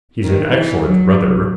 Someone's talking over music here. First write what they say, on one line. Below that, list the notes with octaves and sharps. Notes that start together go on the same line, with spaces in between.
He's an excellent brother.
D#3
E3
F#3